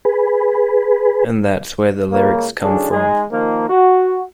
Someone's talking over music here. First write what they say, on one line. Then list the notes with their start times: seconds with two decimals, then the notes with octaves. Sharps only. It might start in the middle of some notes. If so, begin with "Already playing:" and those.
And that's where the lyrics come from.
0.05 G#4 B4
2.12 C#2 C#3 A#3
2.62 B1 E2 D3 C#4 D4 G#4
2.91 G#3 D#4 G#4
3.31 D#3 F3 A#3
3.70 F#4